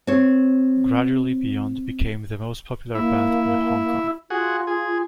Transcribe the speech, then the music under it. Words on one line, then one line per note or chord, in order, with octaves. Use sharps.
Gradually Beyond became the most popular band in Hong Kong.
C4 C#5
A#3 E4
F4 F#4 G#4
G#4